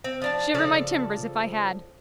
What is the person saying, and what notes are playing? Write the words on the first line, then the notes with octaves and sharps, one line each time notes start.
Shiver my timbers if I had.
C4
F3 D4 A5
C#3 F3 A4 D5